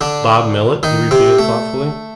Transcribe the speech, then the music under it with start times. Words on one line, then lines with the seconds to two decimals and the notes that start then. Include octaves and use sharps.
"Bob Millet," he repeated thoughtfully.
0.01 D3 D4
0.83 D#3 D#4
1.11 C3 C4
1.39 A3